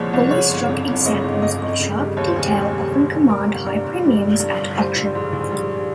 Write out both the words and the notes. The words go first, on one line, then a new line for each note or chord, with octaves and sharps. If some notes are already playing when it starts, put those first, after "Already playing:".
Fully struck examples with sharp detail often command high premiums at auction.
Already playing: C2 A#2 F3 G#3 C#5
C2
C#3 C#5
G1
F2
G1
C#3 D#5
G1
F2 D#5
G1
C#3
G3
D#2 C#5
C5
F1 G#4
G4
C#3 G#4
G3
D#2
F1
G3 A#4
G1
G2
G1
G3
G1
G2
G1
G3 C5
A#1
G#2
A#1
G3